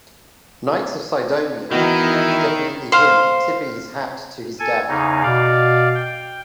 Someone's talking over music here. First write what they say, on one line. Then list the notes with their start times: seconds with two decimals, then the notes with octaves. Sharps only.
'Knights of Cydonia' was definitely him tipping his hat to his dad.
1.72 D#3 E3 B3 E4 F#4 D#5
2.92 C5 F5
4.59 A4 G#5
4.88 E2 C#3 D#4
5.22 B2 D5 F5
5.95 G5